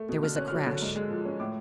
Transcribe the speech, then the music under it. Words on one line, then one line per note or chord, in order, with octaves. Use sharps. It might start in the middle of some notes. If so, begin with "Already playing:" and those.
There was a crash!
Already playing: A3
B2
D3 F6
C#4 F#6
F#3 F6
D3
G#2
G#3
F3
C#4
A2 D6